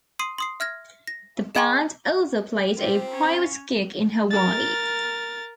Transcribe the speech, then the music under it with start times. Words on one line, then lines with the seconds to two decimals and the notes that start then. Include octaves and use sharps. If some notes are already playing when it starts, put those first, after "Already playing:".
The band also played a private gig in Hawaii.
0.19 C6 D#6 C7 D#7
0.38 C6 D#6 C7
0.60 E5 F6 G#6 A#6
1.07 A#6
1.55 G#4 D#5 G5 G#5 C6 C#6
2.77 C4 F4 G4
3.10 C#4 C#5
4.30 A#4 A6